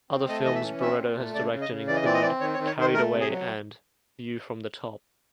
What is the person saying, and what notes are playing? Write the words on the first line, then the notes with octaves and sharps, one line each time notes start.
Other films Barreto has directed films include "Carried Away" and "View from the Top".
C4
A3 D#5
E3 D#5
E5
C#4
C4 E5
A#2
A3
C#3 D5
C#3
D#5
C#3
E3 D5
D#5
C4 D5
D#5
C4 D5
D#3 C#5
C#5
D#3
C#5
D#3 C5
A3 A#4
C3
G#4
F#3